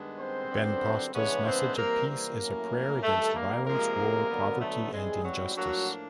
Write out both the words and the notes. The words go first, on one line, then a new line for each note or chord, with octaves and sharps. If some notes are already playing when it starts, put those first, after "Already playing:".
Benposta's message of peace is a prayer against violence, war, poverty, and injustice.
Already playing: G2 D#3 G#3 B3 D4
C4 C5
F#2 D3 G3 B3 D4
C#3 E3 G#3 B3 C#4 D4 C#5
C4 C5
C3 E3 G3 A#3 C4 A#4
A#3 A#4
A2 F#3 A3 C#4 E4
G2 D#3 G3 A3 A4
A#3 A#4
C3 F3 G#3 A#3 A#4
D3 F#3 B3
A3 A4
G#2 E3 G3 G#3 C4 G#4
F#3 F#4
A2 F3 F#3 A#3 D4 F#4